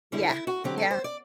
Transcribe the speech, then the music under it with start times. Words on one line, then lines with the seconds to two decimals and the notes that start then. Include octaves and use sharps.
Yeah. Yeah.
0.12 F#2 D3 G3 E4
0.29 E4
0.47 F#4
0.64 D3 F#3 C4 G4
0.78 A4
0.91 C5
1.04 D5